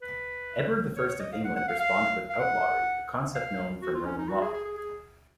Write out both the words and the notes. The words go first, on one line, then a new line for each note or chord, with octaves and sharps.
Edward the First of England responded with outlawry, a concept known from Roman law.
B4
C#5
C#5
D#5
F5
F#5
F#5
F5
F5
F5
F#5
F5
F#4
F4
C#4
D#4
F#4
G#4
G#4
G#4
G#4